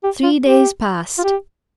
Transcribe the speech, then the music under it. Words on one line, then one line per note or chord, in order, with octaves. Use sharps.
Three days passed.
G4
F4
G4
F4
G4